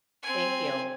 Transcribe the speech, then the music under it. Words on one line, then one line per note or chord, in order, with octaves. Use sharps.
Thank you.
C4 G#5